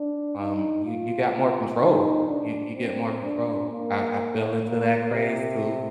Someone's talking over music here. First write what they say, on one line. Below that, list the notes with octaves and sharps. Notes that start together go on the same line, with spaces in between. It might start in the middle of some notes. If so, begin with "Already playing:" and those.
Um, you you got more control. You you get more control. I I fell into that craze too,
Already playing: D4
D#4
F4
D#4
D4
C4
D4
A#3
A#3
C3